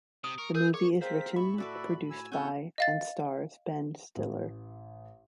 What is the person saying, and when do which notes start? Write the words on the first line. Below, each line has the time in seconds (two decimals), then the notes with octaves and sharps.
The movie is written, produced by and stars Ben Stiller.
0.24 C3 D#6
0.38 A#4 C#6
0.55 G#4 A#4 G6
0.74 G#4 C#5 C#6
1.01 C4 G#4 A#4 C5 F5 B6
1.36 A2 E5 B5 C#6
1.58 F#4 A4 B4 D5 E5
2.10 G#5 E6
2.32 C4 E4 A4 C#5 F#5 G#5 G6
2.78 D#5 F5 A6
4.16 A1